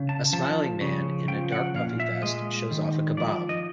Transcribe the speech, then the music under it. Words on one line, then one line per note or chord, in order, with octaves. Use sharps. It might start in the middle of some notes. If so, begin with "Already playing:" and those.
A smiling man in a dark puffy vest shows off a kebab.
Already playing: C#3
A5
F3 A5
C#3
F3 G5
F#5
A#2 F5
E5
G#3 D#5
D#3
F3 D5
D#5